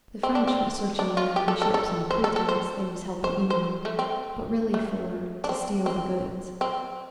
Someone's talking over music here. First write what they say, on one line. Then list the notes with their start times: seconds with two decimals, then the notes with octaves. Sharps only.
The French was searching American ships on pretence they was helping England, but really for to steal the goods.
0.23 C4
0.35 D4
0.47 C4
0.99 D4
1.17 F4
1.36 G4
1.48 A4
1.62 A4
1.74 A4
2.11 C5
2.24 A4
2.36 A4
2.49 C5
3.24 C5
3.50 C5
3.85 A3
3.99 C4
4.74 A3
5.44 D4
5.49 C4
5.86 C4
6.61 C4